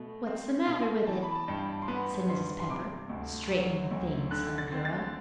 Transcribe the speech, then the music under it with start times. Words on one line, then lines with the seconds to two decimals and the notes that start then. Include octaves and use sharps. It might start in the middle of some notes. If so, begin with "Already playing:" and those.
"What's the matter with it?" said Mrs. Pepper straightening the things on the bureau.
Already playing: B2 A3
0.26 C4
0.67 B2
1.06 E3 A5
1.23 B5
1.35 A5
1.48 G2 G5
1.82 C6
1.88 B3 B5
2.29 G2 C6
2.60 C6
2.69 C3 D6
3.09 D2
3.50 F#3
3.91 D2
4.31 D3 F#6
4.58 A6
4.72 C4
4.85 A6